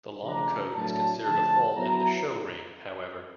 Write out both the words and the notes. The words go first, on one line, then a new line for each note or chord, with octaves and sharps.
The long coat is considered a fault in the show ring, however.
C#3 F3 A3 D4 A#5
A2 F#3 A3 D4 A5
D3 F3 A3 A5
F#3 B3 E4 A#5